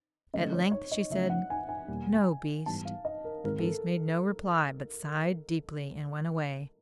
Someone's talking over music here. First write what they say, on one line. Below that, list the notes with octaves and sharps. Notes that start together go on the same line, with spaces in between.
At length she said, "No, beast." The beast made no reply, but sighed deeply, and went away.
D3 F#3 A3 C#4 D#5
C#5
C#5
D#5
C#3 F3 A3 C#4 E5
F#5
G#5
G#5
E2 B2 G3 A#3
G#2 E3 G3 B3 A5
F5
D#5
A#4
G#2 D#3 G#3 C4 D#4 A#4
A4
A#4